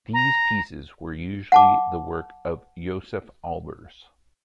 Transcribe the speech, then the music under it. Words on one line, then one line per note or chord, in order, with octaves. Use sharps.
These pieces were usually the work of Josef Albers.
A#5
F#5 A5 D6